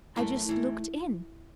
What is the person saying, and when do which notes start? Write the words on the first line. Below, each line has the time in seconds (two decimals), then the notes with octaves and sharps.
"I just looked in."
0.16 F#2 E3 A3
0.49 G#2 E3